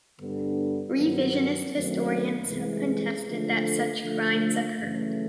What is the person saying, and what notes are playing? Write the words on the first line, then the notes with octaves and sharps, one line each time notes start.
Revisionist historians have contested that such crimes occurred.
G2 D3 G3 B3 D4
G2 D#3 F#3 B3
F#2 D#3 F#3 A3 C4
C2 C3 E3 G#3
D3 F3 A3
D3 F3 A3
F#2 C#3 E3 A3